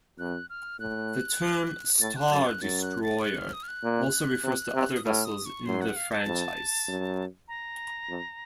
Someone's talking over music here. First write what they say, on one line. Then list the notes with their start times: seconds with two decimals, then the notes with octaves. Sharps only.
The term "Star Destroyer" also refers to other vessels in the franchise.
0.19 F2 F#6
0.50 F6
0.79 A2 F#6
2.01 A2 A6
2.16 F#6
2.31 F#2 A6
2.46 F#6
2.61 F#2 A6
2.82 F#6
3.03 A6
3.23 F#6
3.38 F6
3.53 D#6
3.63 F6
3.68 F#6
3.83 A#2
4.44 C3
4.74 C3
4.95 D#6
5.05 A2 F6
5.25 D#6
5.46 C#6
5.66 F#2 C6
5.81 F#5
5.96 F5
6.12 A5
6.26 F2
6.88 F#2
7.48 A#5
8.09 F2